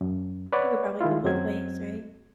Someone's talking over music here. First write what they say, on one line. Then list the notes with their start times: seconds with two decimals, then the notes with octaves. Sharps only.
You could probably go both ways, right?
0.01 F#2
0.53 B4 C#5 D5 F#5
1.01 D#3 G#3 E4 F4
1.24 F#2 F#3 C4 G#6